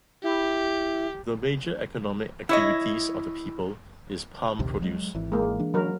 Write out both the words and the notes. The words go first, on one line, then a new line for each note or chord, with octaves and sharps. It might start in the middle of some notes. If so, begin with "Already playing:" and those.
The major economic activities of the people is palm produce.
E4 G4
E4 C#5 D#5
A#1 D#2 C3
F#3 G#3
G#1 E3
G#3 A#3
E3 D4
F#3 A#4